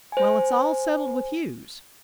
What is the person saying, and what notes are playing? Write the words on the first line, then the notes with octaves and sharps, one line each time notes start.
"Well, it's all settled with Hughes."
C5 G#5